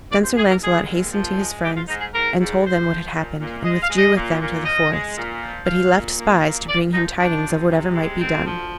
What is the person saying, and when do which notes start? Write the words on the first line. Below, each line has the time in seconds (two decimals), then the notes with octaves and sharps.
Then Sir Launcelot hastened to his friends, and told them what had happened, and withdrew with them to the forest; but he left spies to bring him tidings of whatever might be done.
0.11 D#2 D5
0.24 C5
0.36 D#2 G#4
0.50 A#4
0.61 G#3 G#4
0.88 D#2
1.12 F3
1.38 G#3
1.63 G#2 G4
1.75 F4
1.88 G#2 D#4
2.01 G#4
2.13 G#2 A#4
2.38 G#2
2.64 G#2 C5
2.90 F3
3.15 A#2
3.39 A#2
3.64 G#3 D#5
3.82 F5
3.90 G#3
3.98 D#5
4.16 A#2
4.41 A#2
4.65 F3 D#5
4.91 G#3
5.17 A#2
5.41 F3
5.66 A#2 F5
5.92 A#2
6.17 A#3
6.42 A#2
6.68 A#2 D5
6.92 F3 D#4
7.18 F3 D4
7.44 C3
7.69 C3
7.94 G#3
8.19 D2 C4
8.45 F3